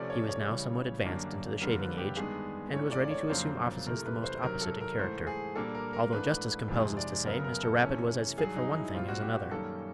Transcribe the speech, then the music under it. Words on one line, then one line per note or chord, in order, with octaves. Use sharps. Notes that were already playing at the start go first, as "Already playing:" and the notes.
He was now somewhat advanced into the shaving age, and was ready to assume offices the most opposite in character; although justice compels us to say Mr. Rapid was as fit for one thing as another.
Already playing: C3 F3 A3 C#4 D5
C#5
C#5
C#3 E3 G3
F#2 D3 G3 A#3 D4
F2 D3 G3 A#3 A#4
B4
G4
G2 D#3 G#3 B3 D4 G#4
G#2 E3 A3 C#4 C#5
D5
D5
C#5
F2 C#3 F#3 A#3 D4 C5
C3 E3 A3 A#4
B4
C5
C3 D#3 F#3 A#4
A4
A#4
G#2 E3 A3 C5
G#4
A#2 G3 A#3 D4 A4
A#4
A#4
G#2 E3 A3 D4 B4
F2 C3 D#3 G#3
D5
F#2 C#3 F#3 B3 A#4
A#4
A4
C3 E3 A3 C#4
G2 D#3 F#3 G#4
D#4
E4
A#2 G3 C4 F4
F#4
G4
F#2 D#3 G3 A#3 C#4 A4